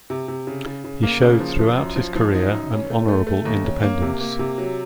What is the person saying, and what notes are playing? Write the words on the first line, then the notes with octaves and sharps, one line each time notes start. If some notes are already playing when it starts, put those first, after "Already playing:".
He showed throughout his career an honourable independence.
C3
C3
C#3
C#3
C#3
A#3
C#3
F3
F3
F#2
F3
F3
D#4
F#2
C#4
A3
A3
A3
D#2
C#4
A#3
C3
A#3
C3
F#3